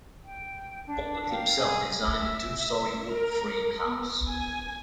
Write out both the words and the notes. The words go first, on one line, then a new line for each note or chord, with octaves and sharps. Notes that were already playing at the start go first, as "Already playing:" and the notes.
Baldwin himself designed the two storey wood frame house.
G5
D4
A#4 F5 G5
G#4 G#5
E5
A#4
B3
G#5